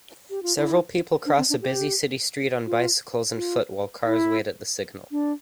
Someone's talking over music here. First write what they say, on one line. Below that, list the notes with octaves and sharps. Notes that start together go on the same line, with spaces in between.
Several people cross a busy city street on bicycles and foot while cars wait at the signal.
G4
F4
E4
D4
C4
D4
G4
F4
F4
E4
D4